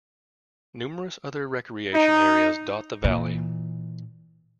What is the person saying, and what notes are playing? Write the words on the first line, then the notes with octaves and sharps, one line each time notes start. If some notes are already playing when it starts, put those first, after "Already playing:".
Numerous other recreation areas dot the valley.
D#4
A#2 E3